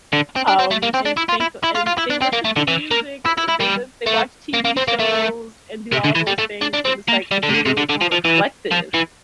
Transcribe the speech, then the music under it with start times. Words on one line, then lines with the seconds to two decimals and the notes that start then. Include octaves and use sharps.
um, and think a and they listen to music, eh, they live they watch TV shows and do all those things, and it's, like, to be a little more reflective
0.13 D3
0.36 C4
0.48 D4
0.59 C4
0.71 A3
0.83 A#3
0.94 C4
1.05 D4
1.17 E4
1.29 F4
1.40 E4
1.64 E4
1.75 F4
1.87 F4
1.98 E4
2.10 D4
2.22 C4
2.33 A#3
2.45 A3
2.56 D3
2.68 E3
2.91 A#3
3.26 E4
3.38 E4
3.49 E4
3.61 G3
4.07 A3
4.54 A#3
4.65 A#3
4.77 C4
4.88 A#3
5.00 A3
5.92 C3
6.04 D3
6.15 E3
6.27 G3
6.39 A3
6.62 D4
6.74 D4
6.85 C4
7.08 A#3
7.31 G3
7.43 D3
7.50 C3
7.54 D3
7.66 C3
7.77 D3
7.90 D3
8.01 F3
8.12 F3
8.25 E3
8.71 F3
8.94 E3